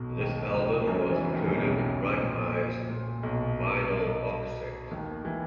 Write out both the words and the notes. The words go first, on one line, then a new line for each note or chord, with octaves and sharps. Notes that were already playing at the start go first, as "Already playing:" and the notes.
This album was included in Bright Eyes' "Vinyl Box Set".
Already playing: B1 B2
D#2 D#3
C#2 C#3
F#2 F#3
E2 E3
D#2 D#3
C#3
B1 B2
A#2
A#2
B1 B2
D#2 D#3
E3